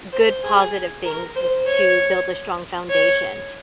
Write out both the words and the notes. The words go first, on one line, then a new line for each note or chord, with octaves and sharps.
good positive things t to build a strong foundation,
C5
G#4
A#4
C5
C#5
C#5